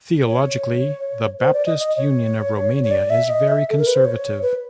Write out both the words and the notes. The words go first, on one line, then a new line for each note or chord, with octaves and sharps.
Theologically, the Baptist Union of Romania is very conservative.
C#5
C5
D5
D#5
D#5
C#5
C#5
D5
E5
D#5
E5
A4
A#4
B4
C5
C#5
B4